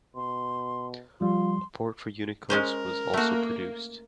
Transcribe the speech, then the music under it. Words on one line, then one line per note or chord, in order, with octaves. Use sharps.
A port for Unicos was also produced.
B2 C6
F3 G3 F4 C6
G#3 C#4 A#4 C5
A3 A#3 F#4